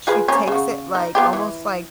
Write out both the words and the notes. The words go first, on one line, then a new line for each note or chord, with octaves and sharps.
She takes it, like, almost like
F4 G#4 B4
G3 A#3 C#4
C#3 F#4
D#4
B3 F4 G4
E3